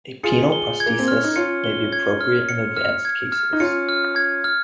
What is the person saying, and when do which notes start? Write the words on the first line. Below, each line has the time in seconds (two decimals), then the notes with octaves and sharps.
A penile prosthesis may be appropriate in advanced cases.
0.23 F4 G#4 C#7
0.52 G7
0.80 G#6
0.86 A#3
0.99 C4
1.08 C#4 F6
1.24 D#4
1.36 C#4 F4 C#7
1.64 G7
1.93 G#6
2.21 F6
2.49 C#7
2.76 F6
3.05 G#6
3.32 F6
3.53 D#4
3.60 C#4 F4 C#7
3.89 F6
4.16 G#6
4.44 F6